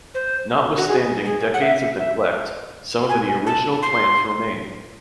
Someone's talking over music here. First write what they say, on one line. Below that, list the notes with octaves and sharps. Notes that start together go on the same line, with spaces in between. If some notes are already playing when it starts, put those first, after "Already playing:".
Notwithstanding decades of neglect, some of the original plants remain.
C5
F#4
G#4
G#4
F#5
E5
E5
G#5
A5
C6